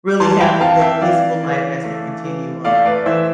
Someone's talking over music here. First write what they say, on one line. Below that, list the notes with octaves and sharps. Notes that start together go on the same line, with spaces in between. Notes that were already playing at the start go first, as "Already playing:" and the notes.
really have a good peaceful life as we continue on
E3 A5 C6
G5 B5
C4 F5 A5
E5 G5
E3 D5 F5
E3
A3
E3
A3 D5 F5
B4 D5
E3 C5 E5